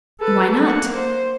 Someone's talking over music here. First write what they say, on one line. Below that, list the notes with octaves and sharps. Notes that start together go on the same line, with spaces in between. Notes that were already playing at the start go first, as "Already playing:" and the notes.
"And why not?"
A4 B4
A#3 F#5
C5